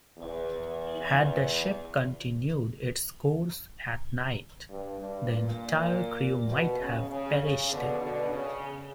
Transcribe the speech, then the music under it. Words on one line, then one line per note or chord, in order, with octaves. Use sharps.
Had the ship continued its course at night, the entire crew might have perished.
E2
G2
G2
A#2
B2
C#3
C#3
C#3
B2 D3
B2 D3
C#3